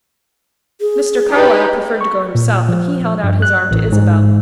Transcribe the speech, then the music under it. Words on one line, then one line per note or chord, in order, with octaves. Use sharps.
Mr. Carlyle preferred to go himself, and he held out his arm to Isabel.
G#4
D#4 G4 B4
C#6
A#2
F3
G2
F#6
A1
G#2